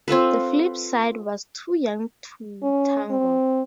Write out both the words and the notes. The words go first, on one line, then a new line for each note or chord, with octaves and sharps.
The flip side was Too Young to Tango.
C4 F4 A4 B4
C#4
C4